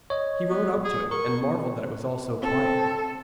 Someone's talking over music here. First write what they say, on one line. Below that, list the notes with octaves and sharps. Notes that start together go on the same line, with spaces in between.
He rode up to it, and marvelled that it was all so quiet.
C#5 D#5
B3
G#4
A#4 C#6
C4 A4